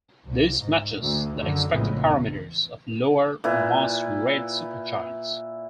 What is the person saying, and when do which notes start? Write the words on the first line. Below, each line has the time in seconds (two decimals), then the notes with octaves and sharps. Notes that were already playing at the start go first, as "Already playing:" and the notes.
This matches the expected parameters of lower mass red supergiants.
0.24 C2
0.62 G#2
0.98 D2
1.39 F#2 D3 D#3
1.71 A#1 A2 C#3 G#3 B3
2.05 E2
3.44 A#2 E4 B4